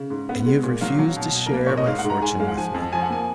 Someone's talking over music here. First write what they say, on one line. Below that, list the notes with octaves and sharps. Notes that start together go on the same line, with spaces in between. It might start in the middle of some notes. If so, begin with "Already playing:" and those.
"And you have refused to share my fortune with me."
Already playing: C#3
G#2
B3
G#3
A#2
F#3 F5
F#3
B2
B2
A#4
A#3 B4
A#2 C#5
D#5
G#2 F5
F#5
G#2
A#5
G#2 G#5
G#3 F5
F#5
F3 G#5
F2
F3 G#5
F#5
A#3 G#5